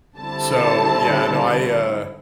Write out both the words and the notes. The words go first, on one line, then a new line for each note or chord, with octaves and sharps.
So yeah. No, I, uh,
D3 G3 C4 E4 A5